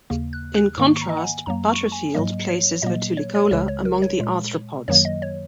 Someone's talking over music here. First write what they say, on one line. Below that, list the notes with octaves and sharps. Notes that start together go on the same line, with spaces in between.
In contrast, Butterfield places "Vetulicola" among the arthropods.
D#2 C#3 A#3
F#6
F#6
G#2 D#3 A#3 C#6
C#6
A#5
D#5
F#5
G#5
F#2 F#3 A#3 A#5
C#6
G#5
G#2 F#3 A#3 D#5
C#5
A#2 F#3 A#3 D#5
C#5
C#5
C#2 C#3 G#3 C#5
C#5
A#4
C#5
A#2 G#3
F#2 D#3 F#3 A#3 C#5
D#5
C#5